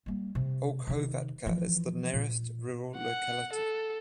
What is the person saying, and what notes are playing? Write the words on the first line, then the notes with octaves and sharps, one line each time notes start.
Olkhovatka is the nearest rural locality.
G3 A#3
C3
C3 D#3
E3 F3
A#2
F#5
A4